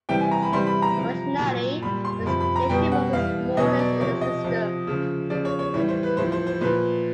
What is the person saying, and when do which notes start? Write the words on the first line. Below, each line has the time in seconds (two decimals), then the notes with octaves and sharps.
Originally, the station was the smallest in the system.
0.09 C3 E3 G3 G5
0.21 G#5
0.31 A#5
0.42 B5
0.53 C3 E3 G3 C6
0.67 B5
0.82 A#5
0.96 C3 F3
1.39 A#2 F#3
1.82 A#2 G3 B5
2.05 C6
2.26 C3 F3 B5
2.40 B5
2.56 A#5
2.69 B2 G3 G5
2.92 F#5
3.13 A2 E3 G3 F5
3.57 B2 F#3 D#5
3.79 D5
4.00 C3 F3 C#5
4.21 D#5
4.44 C3 F3
4.87 C#3 F3
5.30 C#3 F3 D5
5.45 C#5
5.59 C#5
5.74 A2 E3 G3 C#5
5.89 C5
6.03 B4
6.17 A2 F3 C5
6.32 C5
6.47 C5
6.61 A#2 F3 B4